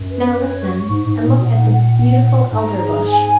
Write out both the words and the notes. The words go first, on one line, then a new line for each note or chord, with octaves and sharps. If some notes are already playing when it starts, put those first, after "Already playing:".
Now listen, and look at the beautiful Elderbush.
Already playing: F#2
B4
C#5
C#6
G#2 D#4
G#2
D#4
A#2
B2
A#2 F#5
F#5
F#5
F#5
G#2 A#5
G#4
G#5